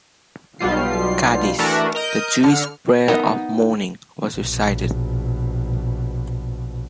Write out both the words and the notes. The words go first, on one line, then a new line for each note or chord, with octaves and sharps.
Kaddish, the Jewish prayer of mourning, was recited.
B1 B2 G3 F4 C7
E3 A3 D4 F#4 A#4
A#4 D#5 G6
D3 F6 C#7
B3 D#4 A#4 E5 F#5
A#1 B2